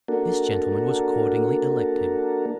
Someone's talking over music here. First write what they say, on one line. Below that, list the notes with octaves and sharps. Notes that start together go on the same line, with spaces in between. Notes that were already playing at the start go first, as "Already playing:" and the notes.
This gentleman was accordingly elected.
A#3 D4 F#4 A4 A#4